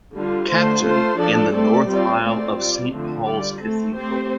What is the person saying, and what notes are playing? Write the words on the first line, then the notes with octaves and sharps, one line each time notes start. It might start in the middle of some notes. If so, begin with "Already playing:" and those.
"Captain", in the north aisle of Saint Paul's Cathedral.
D3 G3 F4
D3 A3 F4 C5
A3 F4 A4 C5
F3 D4 A4 D5
A3 C4 A4 D5
G3 C4 F4 D5
A3 C4 F4 D5
G3 F4 D5
D3 F3 A3 C4
G3 F4 D5
A3 C4 A4
A3 C4 G4 C5